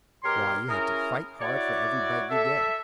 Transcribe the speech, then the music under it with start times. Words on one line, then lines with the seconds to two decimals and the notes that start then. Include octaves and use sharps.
Why, you have to fight hard for every bite you get.
0.24 B2 G4 A#4 C#5 C6
0.68 C#4 E4 G#4 A#4
1.41 E4 F#4 C#5 D5
2.30 A4 E5